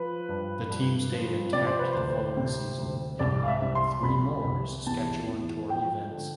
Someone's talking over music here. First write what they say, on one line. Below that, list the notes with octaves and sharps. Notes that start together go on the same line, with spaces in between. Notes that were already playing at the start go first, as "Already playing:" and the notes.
The team stayed intact the following season and won three more Saskatchewan Tour events.
Already playing: F3 B4
G2
G2
F3
C3 D5
C5
B4
D2 C5
C3
D2
C2 D5
F5
E5
C2
C6
C2 B5
C2
E2 A5
E2
F3 G5
D3